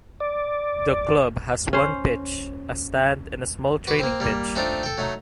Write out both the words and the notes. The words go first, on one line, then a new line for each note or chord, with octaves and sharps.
The club has one pitch, a stand and a small training pitch.
D5
C#4 C5
F#4 B4 D6
A#3 C4
G3 A#3
A3 C4 D4 D#4 F4 D5
A4 G5
F#3 A3 D#4